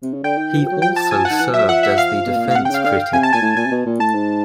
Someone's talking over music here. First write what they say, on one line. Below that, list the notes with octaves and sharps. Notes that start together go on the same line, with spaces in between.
He also served as the defence critic.
C3
C#3
D3 G5
D#3
E3
F3
F#3
F3 G5
A5
G#5
F#5
D#3
E3 F#5
F3
F#3 E5
F3 F#5
E5
F5
B2
A#2
A2
F5
C3 F#5
G5
C#3 F5
D3 F5
C3 G#5
A5
A#2 G#5
A2
A#2 G#5
C3
B2
A#2
A2 A5
G#2